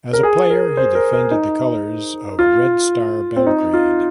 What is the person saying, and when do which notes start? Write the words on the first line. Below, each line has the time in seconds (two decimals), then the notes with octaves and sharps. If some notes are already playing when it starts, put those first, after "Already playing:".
As a player, he defended the colours of Red Star Belgrade.
0.13 A#4
0.23 G#4
0.50 A#4
0.77 C5
0.95 A#4
1.13 A#4
1.31 D#4
2.39 F4
3.36 C4
3.46 D#4
3.74 F4